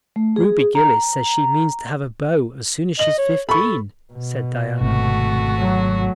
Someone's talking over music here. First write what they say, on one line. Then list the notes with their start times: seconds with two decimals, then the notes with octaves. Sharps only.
"Ruby Gillis says she means to have a beau as soon as she's fifteen," said Diana.
0.16 A3
0.36 G#4
0.75 A#5
2.99 D#5 F#7
3.18 C#5
3.49 A4 B5 C#6
4.13 B2
4.81 G#1 C3 A3 F#4
5.60 F#3